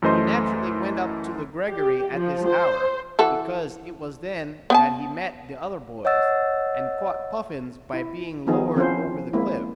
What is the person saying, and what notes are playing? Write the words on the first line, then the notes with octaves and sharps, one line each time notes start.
He naturally went up to The Gregory at this hour, because it was then that he met the other boys, and caught puffins by being lowered over the cliff.
F#2 E3 A3 C5 D#5 C6
G4
F3
C5
E3 F#4 A4
B3 G5 A5
C#5 D#5 F#5 E6 A6
E4
D#3 F3 B3 D#4 G#4
F3 C4 C#4 E4 F4 C5
G#3 A#3 C4 E4